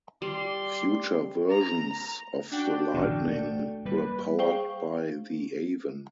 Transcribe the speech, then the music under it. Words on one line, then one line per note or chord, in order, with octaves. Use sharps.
Future versions of the Lightning were powered by the Avon.
G3 D5 C6
A#5
D4 F#4 G5
A1 B2 D3
A3
G3 A#3 B4
G#4 C5 F5 G5 C#6 G7